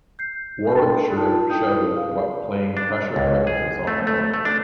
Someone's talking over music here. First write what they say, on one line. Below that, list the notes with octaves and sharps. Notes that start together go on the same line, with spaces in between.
Warwickshire showed what playing pressure cricket is all about.
G6 C7
D4 A4 A#4 G5 C6 A6
D4 D#4 F4 G5 A5
E4 A4 D#5 G5 D#6 G6
G#4 F5
D4
C#2
G#4
A3
A3
A3
D4